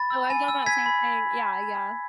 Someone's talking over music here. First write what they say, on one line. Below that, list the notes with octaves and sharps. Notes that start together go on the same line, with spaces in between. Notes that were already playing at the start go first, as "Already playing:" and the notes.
Oh, I've done that same thing. Yeah. Yeah
Already playing: B5 A6
E6
G#5
E6
G#5 G#6 B6
B5